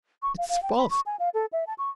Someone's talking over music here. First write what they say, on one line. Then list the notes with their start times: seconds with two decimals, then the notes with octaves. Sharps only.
It's false!
0.22 C#6
0.38 F5
0.49 F5
0.63 G5
0.77 B5
0.90 C#6
1.06 G#5
1.19 F5
1.34 A4
1.53 E5
1.67 A5
1.78 C#6